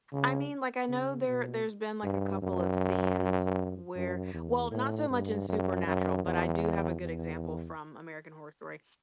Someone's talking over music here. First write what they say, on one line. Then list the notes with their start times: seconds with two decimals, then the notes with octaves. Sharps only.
I mean, like I know there there's been, like, a couple of scenes where well not so much in Supernatural, but I do have a good example from American Horror Story.
0.13 C#3
0.89 C#3
1.27 B2
2.03 G2
2.42 F#2
3.95 F#2
4.33 E2
4.71 A2
5.10 G2
5.48 F#2
5.86 F#2
6.25 E2
7.01 E2